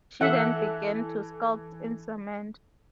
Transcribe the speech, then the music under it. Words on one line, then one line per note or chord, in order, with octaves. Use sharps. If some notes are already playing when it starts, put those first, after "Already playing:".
She then began to sculpt in cement.
E3 A4 E5 F#5